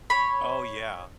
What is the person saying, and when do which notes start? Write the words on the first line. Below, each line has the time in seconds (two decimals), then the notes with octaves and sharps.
Oh, yeah.
0.10 C#5 B5